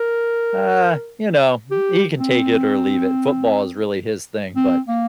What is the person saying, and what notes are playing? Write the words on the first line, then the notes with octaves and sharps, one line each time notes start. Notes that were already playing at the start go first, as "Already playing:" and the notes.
uh, you know, he can take it or leave it. Football is really his thing, but,
Already playing: A#4
G4
C4
C4
A#3